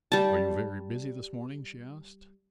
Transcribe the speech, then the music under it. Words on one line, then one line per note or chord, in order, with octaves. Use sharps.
"Are you very busy this morning?" she asked.
G3 A5